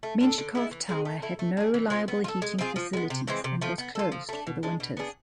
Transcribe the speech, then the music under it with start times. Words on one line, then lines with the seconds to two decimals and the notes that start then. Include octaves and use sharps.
Menshikov tower had no reliable heating facilities and was closed for the winters.
0.03 A3
0.21 D4 F4 A4
0.38 D3
0.55 G#3 B3 E4
0.71 E3
0.89 G#3 C4 G#4
1.05 A3
1.22 E4 A4
1.39 A3
1.57 D4 G#4
1.74 E3
1.90 G#3 C4 F4
2.08 B3
2.24 F4
2.28 A4
2.42 G#3
2.59 C4 F4 G#4
2.76 F3
2.93 G#3 B3
3.10 C3
3.28 E3 G#3 C4
3.44 C3
3.62 F3 A3
3.78 B3
3.95 F4 A4
4.12 F3
4.29 A3 D4
4.47 B2
4.63 G#3 D4
4.80 B2
4.97 B3 D4 G#4